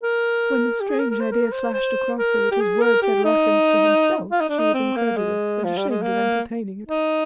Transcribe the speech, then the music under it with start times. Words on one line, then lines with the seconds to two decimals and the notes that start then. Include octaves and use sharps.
When the strange idea flashed across her that his words had reference to himself, she was incredulous, and ashamed of entertaining it.
0.03 A#4
0.81 G4
0.89 G#4
0.99 A#4
1.10 A#4
1.20 C5
1.31 A#4
1.52 C5
1.74 C5
2.18 A#4
2.51 G4
2.60 G#4
2.81 A#4
3.02 G4
3.25 D#4
4.31 F4
4.41 D#4
4.49 D4
4.59 D#4
4.74 C4
4.96 A#3
5.17 G#3
5.64 F3
5.77 G3
5.89 G#3
6.03 A#3
6.88 D#4